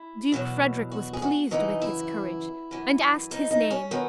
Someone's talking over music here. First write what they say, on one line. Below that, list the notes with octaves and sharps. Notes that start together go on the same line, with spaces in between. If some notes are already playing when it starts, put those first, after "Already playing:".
Duke Frederick was pleased with his courage, and asked his name.
Already playing: E4
E2 B2 F#3
F#4
G#4
F#4
F#2 C#3 E3 D#4
E4
F#2 E3
D#4
D#4
C#4
D#3 F#3 B3